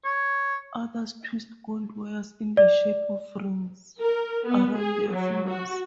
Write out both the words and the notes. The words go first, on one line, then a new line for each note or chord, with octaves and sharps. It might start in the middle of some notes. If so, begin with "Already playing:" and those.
Others twist gold wires in the shape of rings around their fingers.
C#5
D5
A#4
B3
G#4
F#3
F#4